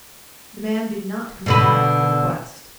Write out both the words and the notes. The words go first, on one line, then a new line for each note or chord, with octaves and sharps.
The man did not comply with the request.
B2 D3 B4